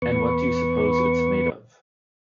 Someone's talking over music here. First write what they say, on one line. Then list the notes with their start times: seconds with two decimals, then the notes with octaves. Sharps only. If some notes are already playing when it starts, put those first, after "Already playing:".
And what do you suppose it's made of?
0.02 E2 B3 B4 C#6